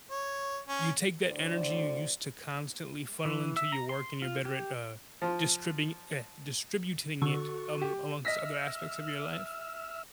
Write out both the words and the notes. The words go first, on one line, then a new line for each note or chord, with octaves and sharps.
you take that energy you used to constantly funnel into your work and you're better at, ah, distribing eh, distributing it, am amongst other aspects of your life?
C#5
C#4
D2 A2 D3 F#3 C5 D5
E3
E5
A#5
C6
F4
G4
F3
D3 F#4 A4 C#6
G4
D#5 E5 E6 F6 A#6 B6